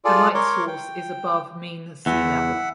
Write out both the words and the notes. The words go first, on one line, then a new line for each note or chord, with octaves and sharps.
The light source is above mean sea level.
F4 G#4 A4 D5
A#4 C#5 C6 D6
G5
E2 E5 F#5